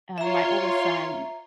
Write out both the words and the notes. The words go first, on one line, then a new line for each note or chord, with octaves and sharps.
uh, my oldest son
F4 C#5 E5 A#5 C6